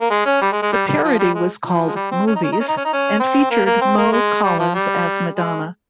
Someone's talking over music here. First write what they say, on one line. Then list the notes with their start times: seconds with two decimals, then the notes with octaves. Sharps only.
The parody was called "Movies", and featured Mo Collins as Madonna.
0.01 A#3
0.10 G#3
0.26 C#4
0.41 G3
0.52 G#3
0.62 G#3
0.72 G3
0.88 G3
1.04 F3
1.19 G3
1.34 G#3
1.65 F3
1.87 G#3
1.96 G3
2.11 C4
2.27 C#4
2.35 D#4
2.43 C#4
2.52 D#4
2.60 C#4
2.68 D#4
2.77 C#4
2.85 D#4
2.93 C#4
3.20 C4
3.50 A#3
3.66 A#3
3.81 C4
3.97 A#3
4.12 G#3
4.43 G3
4.59 F3
4.74 G3
5.36 G#3